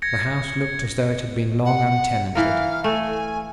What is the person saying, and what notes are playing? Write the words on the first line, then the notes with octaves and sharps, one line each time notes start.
The house looked as though it had been long untenanted.
G#6 A#6 C#7
F#5
E3 A#4 F5
A3 G#5